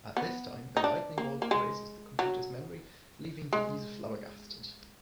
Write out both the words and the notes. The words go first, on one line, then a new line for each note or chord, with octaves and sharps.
At this time, a lightning bolt erases the computer's memory, leaving the user flabbergasted.
B3
D#4
D4
A#3
A#3
G#3
F#3
G#3